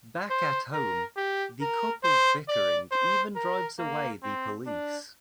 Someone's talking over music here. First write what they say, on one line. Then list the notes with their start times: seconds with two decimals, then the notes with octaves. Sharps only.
Back at home, the couple's bickering even drives away the police.
0.30 C5
0.73 A#4
1.16 G4
1.61 A#4
2.04 C5
2.48 D5
2.91 C5
3.36 A#4
3.79 A#3
4.23 C4
4.66 D4